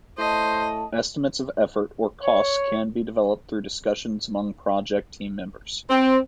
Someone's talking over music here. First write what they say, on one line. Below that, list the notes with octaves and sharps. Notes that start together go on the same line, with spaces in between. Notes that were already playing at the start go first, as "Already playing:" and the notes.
Estimates of effort or cost can be developed through discussions among project team members.
A2 C5 D#5 A5
C#5
C4